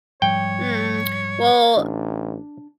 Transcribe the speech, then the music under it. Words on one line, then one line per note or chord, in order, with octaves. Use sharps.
Mm, well,
G#2 F3 G3 C#5 G5
A1 D4